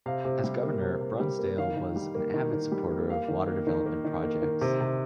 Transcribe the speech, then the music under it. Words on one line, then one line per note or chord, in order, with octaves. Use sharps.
As governor, Brunsdale was an avid supporter of water development projects.
C3 F5
C3
G3
A#3
C3
C3
G3
A#3
D#3 F5
D#3
G3
A#3
D#3
D#3
G3
A#3
A#3 F5
D#3
A#3
D#3
A#3
D#3
A#3
D#3
C3
C3